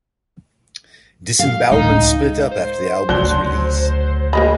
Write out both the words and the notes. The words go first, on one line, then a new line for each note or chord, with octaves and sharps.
Disembowelment split up after the album's release.
F5
C#2 A2 G#3 D#4
C5
D2 C#3 F#3 D4 F#6 G7
G#3 A#3 D#5 B5